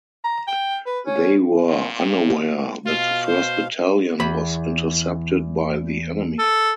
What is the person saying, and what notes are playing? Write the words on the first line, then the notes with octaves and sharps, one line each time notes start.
They were unaware that the first battalion was intercepted by the enemy.
A#5
G5
B4
C#4
A#2
B2 F4 F5
C5
E2 B5
A4